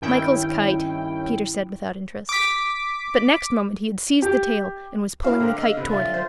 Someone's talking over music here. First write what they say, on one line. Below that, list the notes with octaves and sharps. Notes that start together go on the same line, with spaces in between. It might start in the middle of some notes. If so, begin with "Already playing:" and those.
"Michael's kite," Peter said without interest, but next moment he had seized the tail, and was pulling the kite toward him.
G2 D#3 C#4 E4 G5
D6 B6
G4
D2 C3 C#4 E4 F#4 F5
D3 C4 G4 A#4
D#5 E6
C3 B4
A#2 F4 E5
C5